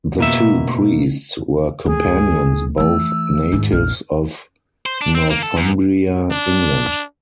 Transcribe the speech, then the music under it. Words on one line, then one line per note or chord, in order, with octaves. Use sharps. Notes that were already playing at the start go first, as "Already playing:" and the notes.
The two priests were companions, both natives of Northumbria, England.
B2 A#3 E5
D2 G#4
E3 A3 E6
D#2 G#2
A#1 F6
C5
D4
C4
A#3
A4
F#2
D4